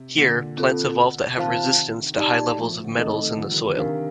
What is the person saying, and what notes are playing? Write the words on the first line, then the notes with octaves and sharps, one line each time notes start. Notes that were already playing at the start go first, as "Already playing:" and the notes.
Here, plants evolve that have resistance to high levels of metals in the soil.
Already playing: C3
A#2 D3
C4 F4 A4
C3 D#3 F4 C5 F5 A5
D#4 G4 D5 A5
F3 A3
F3 A3
D3 F3
C3 D#3 A3 D#4 A4 D#5
D3 F3
D#3 G3
D#3 G3
C3 D#3 D4 G4 A#4 F5